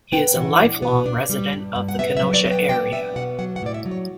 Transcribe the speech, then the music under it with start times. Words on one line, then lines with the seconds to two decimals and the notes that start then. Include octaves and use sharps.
He is a lifelong resident of the Kenosha area.
0.12 B3 G5
0.36 E3 F#5
0.59 D4
0.82 B3
1.06 D4
1.29 G3
1.53 G2
1.76 G2
1.88 F#5
1.99 B3 E5
2.17 E5
2.22 F#3
2.34 D5
2.46 B3
2.52 G5
2.69 D4 G5
2.92 B3 E5
3.16 B2 F#5
3.39 F#3 F#5
3.56 F#5
3.62 A2 D5
3.74 E5
3.86 F#3
3.91 C#5